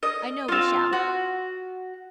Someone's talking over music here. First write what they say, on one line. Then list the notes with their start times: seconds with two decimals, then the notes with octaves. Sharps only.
'I know we shall.
0.03 D#5
0.48 C4 F4
0.93 F#4